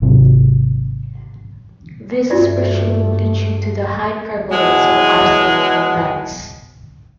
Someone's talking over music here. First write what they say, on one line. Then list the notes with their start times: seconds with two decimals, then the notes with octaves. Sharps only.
This is presumably due to the high prevalence of arsenic in rice.
0.02 G#1 C3 F#3 C4
2.30 G2 A3 F4 F#4 D5
4.50 B2 E3 F#3 G#3